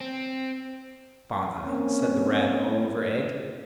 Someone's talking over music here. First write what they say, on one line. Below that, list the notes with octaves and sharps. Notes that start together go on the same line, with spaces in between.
'Bother!' said the Rat, all over egg.
C4
A#3 C4 C#4